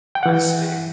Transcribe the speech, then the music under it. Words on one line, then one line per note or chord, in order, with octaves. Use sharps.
I see.
G5
F#5
E3